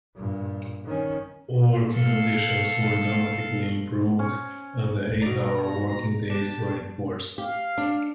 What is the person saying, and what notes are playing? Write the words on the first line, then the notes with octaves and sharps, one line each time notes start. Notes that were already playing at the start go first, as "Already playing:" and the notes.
Working conditions were dramatically improved and the eight-hour working days were enforced.
G2 A#2
D#3 C#4
A4 F5
C#4
B2 F#4 D5 A#5
D4 G4 A5
G4 F5
D4